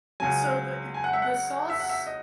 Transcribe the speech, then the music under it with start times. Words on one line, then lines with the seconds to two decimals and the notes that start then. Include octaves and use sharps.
So, the eh the sauce
0.20 C#2 C#3 F#3 G#5
0.94 G#5
1.04 F#5
1.13 E5
1.22 F#5
1.69 E5
1.80 F#5
1.89 E5
2.07 D#5